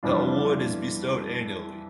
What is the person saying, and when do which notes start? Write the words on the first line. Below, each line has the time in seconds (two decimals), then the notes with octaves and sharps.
The award is bestowed annually.
0.03 F2 E3 G3 D4 F4